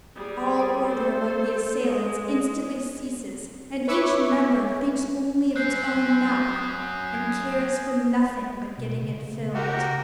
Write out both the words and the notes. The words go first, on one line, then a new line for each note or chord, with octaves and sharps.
All order among the assailants instantly ceases, and each member thinks only of its own mouth, and cares for nothing but getting it filled.
G3 G#4
A4 C5
G#3
B4 C#5 E5 C#6 D6
F#3 C#4 F#6 G6 C7
F#7
D#6
G#6
B2
C#3
F#4 G4 A#4